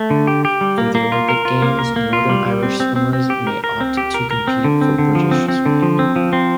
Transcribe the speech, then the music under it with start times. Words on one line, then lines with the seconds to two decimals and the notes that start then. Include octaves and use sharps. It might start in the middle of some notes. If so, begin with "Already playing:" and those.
For the Olympic Games, Northern Irish swimmers may opt to compete for British Swimming.
Already playing: A3
0.10 D3
0.27 G4
0.45 G4
0.61 G3
0.78 A#3
0.95 A#3
1.12 F4
1.29 A#4
1.45 F4
1.62 A#3
1.79 A#4
1.96 A#3
2.13 F4
2.29 G3
2.46 G3
2.63 C4
2.80 C4
2.96 C4
3.13 C4
3.30 G4
3.47 A#4
3.64 A#4
3.80 C4
3.97 G4
4.14 A#4
4.31 A#4
4.48 C4
4.64 D3
4.81 C4
4.99 D3
5.15 F3
5.31 C4
5.48 C4
5.66 D3
5.82 F3
5.99 C4
6.16 F3
6.33 C4